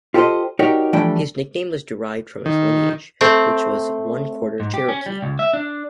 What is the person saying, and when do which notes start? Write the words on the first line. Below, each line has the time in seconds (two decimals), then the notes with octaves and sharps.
His nickname was derived from his lineage, which was one-quarter Cherokee.
0.14 F4 G4 A4 A#4 C5 D#5
0.59 D#4 F#4 G4 A#4 C#5 D5
0.93 E3 F3 G3 A3 D4 G5
2.46 D#3
3.21 A3 C4
4.60 G#2
4.74 G4
4.89 C#4
5.06 G3
5.22 C#2
5.39 E5
5.53 D4